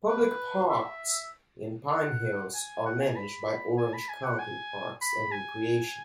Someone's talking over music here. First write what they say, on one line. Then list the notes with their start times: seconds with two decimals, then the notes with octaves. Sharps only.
Public parks in Pine Hills are managed by Orange County Parks and Recreation.
0.09 B4
0.70 E5
1.93 F#5
2.55 G#5
2.86 F#5
3.01 G#5
3.16 B5
3.78 G#5
3.94 B5
4.09 G#5
4.24 F#5
4.39 G#5
5.01 B5
5.32 G#5